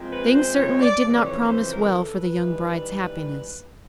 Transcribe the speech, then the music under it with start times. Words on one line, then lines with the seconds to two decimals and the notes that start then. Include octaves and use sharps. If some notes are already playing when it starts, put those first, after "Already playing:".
Things certainly did not promise well for the young bride's happiness.
Already playing: A#2 F3 G#3 C4
0.12 B4
0.35 C5
0.59 C#5
0.81 D5
1.04 F2 C#3 E3 D5
1.27 C#5
1.50 C5
1.72 A#4
1.95 A4
2.18 B4
2.42 G#2 E3 G3